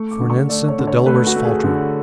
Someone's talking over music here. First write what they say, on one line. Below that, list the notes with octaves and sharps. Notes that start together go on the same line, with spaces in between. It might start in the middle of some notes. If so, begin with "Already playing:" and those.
For an instant the Delawares faltered.
Already playing: A3 C#6
D6
D3
C#6
A3 D5
C#5
D3
C#5
A3 B4
F#4
A3
G#4
D3